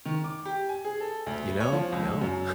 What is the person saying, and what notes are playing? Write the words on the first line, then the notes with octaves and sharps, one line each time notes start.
You know? No.
D#3
D6
G4
G#5
G#4
A4
D2
C#5
F3
C#2
F#2